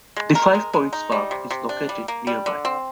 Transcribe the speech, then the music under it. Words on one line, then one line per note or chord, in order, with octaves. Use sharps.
The Five Points Park is located nearby.
G#3
A#4
G#3
G#3
D#4
G3
C3
C3
D4
G3
A#3
G3
D3
C4